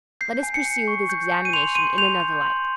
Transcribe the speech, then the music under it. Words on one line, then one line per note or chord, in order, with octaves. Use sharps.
Let us pursue this examination in another light.
G6 C7
G#5
C#7
G#5
C#6
G6
G#5
D#7
C6 F7
C6 D#7
G6 F7
G6
C6